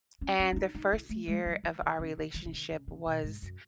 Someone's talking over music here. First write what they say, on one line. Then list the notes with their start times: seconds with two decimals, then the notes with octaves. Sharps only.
And the first year of our relationship was
0.21 C#4
0.39 C#4
0.52 C#4
0.56 D#4
0.75 D#4
0.93 E4
1.09 A3
1.28 G#3
1.46 F#3
1.64 E3
1.82 D#3
1.99 C#3
2.18 E3
2.34 E3
2.45 C#3
2.53 D#3
2.71 C#3
2.88 C#3
3.06 B2
3.23 G#2
3.42 F#2